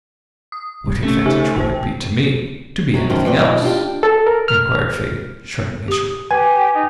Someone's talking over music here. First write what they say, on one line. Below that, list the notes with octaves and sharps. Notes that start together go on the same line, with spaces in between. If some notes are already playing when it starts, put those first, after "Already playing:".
'What advantage would it be to me to be anything else?' inquired Fagin, shrugging his shoulders.
D#6
D#1 G#1 G3
G#1 C3 A3 C#4
C#3 D#4 G4 G#5
A1 C5 G5
C3 F#3
F#2 D#3 F3
E2 F3 C4 B4 D5 G5
B2 E4 F4 D#5
D4 F4 G4
A4
A#4
F6
G4 D#6
G4 B4 G#5
D#4